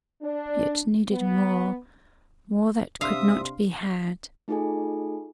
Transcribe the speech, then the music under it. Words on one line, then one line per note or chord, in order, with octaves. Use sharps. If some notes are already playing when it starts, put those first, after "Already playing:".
It needed more--more that could not be had.
D4
B3
C3 D4 E5 F5 C6 D#6
A3 D#4 F4 G#4 A4 G#5